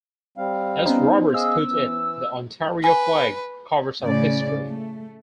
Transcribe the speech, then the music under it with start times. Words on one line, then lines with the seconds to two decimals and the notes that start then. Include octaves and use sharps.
As Robarts put it, the Ontario flag covers our history.
0.37 G3 C4 F5
0.86 B3 C#4 D#4 C5
1.34 G#4 D#5 F5 E6
1.69 E3
2.84 B4 G#5
4.01 A2 C#3 D5
4.68 A3